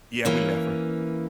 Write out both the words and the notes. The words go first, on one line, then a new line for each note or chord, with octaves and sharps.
Yeah, we left her.
E3 A#3 C#4